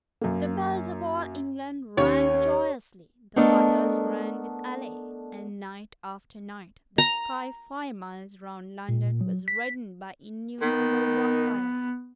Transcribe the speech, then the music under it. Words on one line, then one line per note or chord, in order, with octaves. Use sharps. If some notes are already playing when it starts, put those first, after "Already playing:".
The bells of all England rang joyously: the gutters ran with ale; and, night after night, the sky five miles round London was reddened by innumerable bonfires.
F#2 A#3
D#2 C#4 C#5
A3 B3 D4 A4 A#4 D#5
A#5
A#2
F#3
B6
D#3 B3